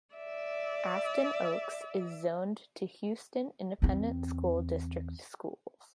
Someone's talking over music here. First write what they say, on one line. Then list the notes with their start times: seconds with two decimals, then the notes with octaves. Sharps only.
Afton Oaks is zoned to Houston Independent School District schools.
0.15 D5 E5
3.82 E2 C4